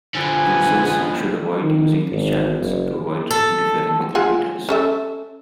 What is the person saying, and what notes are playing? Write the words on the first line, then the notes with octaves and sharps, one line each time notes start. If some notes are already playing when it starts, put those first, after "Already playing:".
Users should avoid using these channels to avoid interfering with repeaters.
D3 F3 B3 G#5
D#3
G#1
F#1
A4
F4 G#4 F#5
C#4 A4 E5